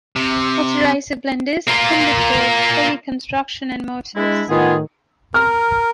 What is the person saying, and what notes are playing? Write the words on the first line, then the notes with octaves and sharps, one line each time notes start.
Osterizer blenders tended towards heavy construction and motors.
C3
A#3 F4
G#3 D4 E4
A2 D#3 B3 F4 G#4
A#4 F6